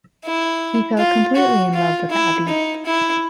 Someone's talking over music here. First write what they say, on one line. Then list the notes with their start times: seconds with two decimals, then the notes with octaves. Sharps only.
He felt completely in love with Abby.
0.25 E4
0.99 F4
1.36 F#4
1.74 F4
2.11 E4
2.49 D#4
2.86 E4